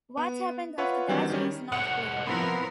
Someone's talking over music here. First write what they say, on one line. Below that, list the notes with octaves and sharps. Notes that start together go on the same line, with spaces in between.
What happened after that is not clear.
B3
F4 B4 C#5 E5 F#5
D#3 E3 F#3 G3 C4 D4
D#3 G3 C#4
C2 A2 F#5
F3 B3 C4 E4 A#4